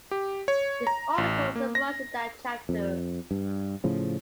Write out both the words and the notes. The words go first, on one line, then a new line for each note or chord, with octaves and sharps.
This article summarizes that chapter.
G4
C#5
A#5
A1
A#3
A#6
F2
G2
A2 C#3 F3